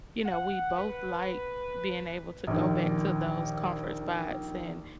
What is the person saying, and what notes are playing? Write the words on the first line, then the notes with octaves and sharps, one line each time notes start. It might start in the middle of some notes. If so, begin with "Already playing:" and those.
you know, we both like being able to go back to those comfort spots, and,
F#5
B4
A#1 D#2